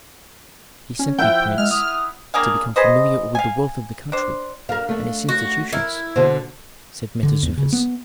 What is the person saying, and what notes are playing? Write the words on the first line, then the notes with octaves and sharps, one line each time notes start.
"He sent thee, prince, to become familiar with the wealth of the country and its institutions," said Mentezufis.
C#4
F3 E4 E5 F#5 G5
G#3 F6
D#6
A#3 D4 G#4 F5
G#4 B4 C5 D#5
F5 G#5
D4 C5
D4 A#4 F5
A3 D4
F#4
E4 A#4
B2 D3 C5
D3
E2
C#3
B3